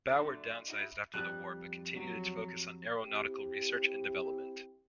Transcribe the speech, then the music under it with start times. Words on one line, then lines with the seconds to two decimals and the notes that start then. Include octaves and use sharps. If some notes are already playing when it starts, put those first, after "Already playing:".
BuAer downsized after the war, but continued its focus on aeronautical research and development.
0.08 A#2 D3 F#3 A3
0.68 D#4 E4 F#4
1.14 F2 G3 F#6
1.93 F#3
3.03 C4 E4 G4